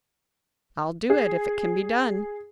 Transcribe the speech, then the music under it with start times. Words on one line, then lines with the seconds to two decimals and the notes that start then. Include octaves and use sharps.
"I'll do it--if it can be done."
1.10 G#4